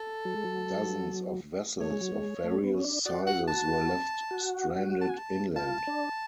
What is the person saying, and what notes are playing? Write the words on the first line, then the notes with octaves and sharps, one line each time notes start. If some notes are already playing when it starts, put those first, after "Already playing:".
Dozens of vessels of various sizes were left stranded inland.
Already playing: A4
F#3
G#3
F#3
A3 C#5
G#3
F#3
G#3
A3
B3
C#4
D4
F#4 D5
F#5
A5
F#4
A5
G#5
A5
F4 A5
D4